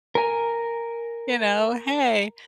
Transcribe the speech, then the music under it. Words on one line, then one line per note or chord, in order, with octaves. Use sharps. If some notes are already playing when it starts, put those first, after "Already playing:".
you know hey,
A#4 G#5